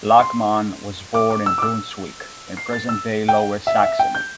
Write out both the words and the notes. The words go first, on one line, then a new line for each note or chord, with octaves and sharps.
Lachmann was born in Brunswick, in present-day Lower Saxony.
C6
D6
D6
E6
D6
E6
C7
A6
E6
G5
E5
E5
G5
G6